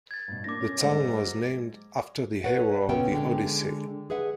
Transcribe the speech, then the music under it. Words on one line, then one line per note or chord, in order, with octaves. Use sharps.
The town was named after the hero of the "Odyssey".
G#6 A6
G2 B2
A#3 D4 E4 D6 A#6
C#4
G#2 G3 A#3
F#3
B4 C#5 F#5
A#2 C#3 B3 C#4 E5 G5
D3 G#3 G5
G#4 B4 E5 F#5